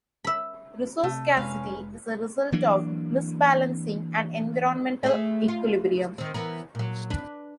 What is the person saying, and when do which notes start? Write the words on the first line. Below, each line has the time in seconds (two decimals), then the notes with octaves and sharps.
Resource scarcity is a result of misbalancing an environmental equilibrium.
0.24 E5 B5
1.03 C3 A3
1.37 F1 C#2 A#2 G#3 C#4 B4 F5
2.52 E3 F#3 A#3 D4
5.03 A3 G#4
5.48 F4
6.18 D#3 C4
6.34 E3 B3 A#4
6.75 A#2 F#3
7.10 D4 B4